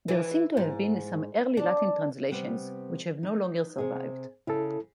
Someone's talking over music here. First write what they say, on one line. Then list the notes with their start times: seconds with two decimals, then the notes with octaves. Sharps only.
There seem to have been some early Latin translations, which have no longer survived.
0.08 E3
0.57 G#2
1.57 D4
2.31 C3 G3 B3
3.23 D#4
3.78 C3 G#4
4.47 C#3 E4 A4